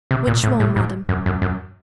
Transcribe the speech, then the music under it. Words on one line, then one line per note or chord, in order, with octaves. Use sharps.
"Which one, madam?"
C3
A#2
A2
A2
G#2
F#2
F#2
F#2